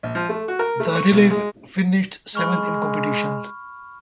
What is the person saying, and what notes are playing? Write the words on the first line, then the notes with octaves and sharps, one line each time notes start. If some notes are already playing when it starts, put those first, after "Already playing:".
The relay finished seventh in the competition.
A#1
F3
A3
F#4
A#4
A3
C#6
B1
G#3
G#3 B5 C#6 F6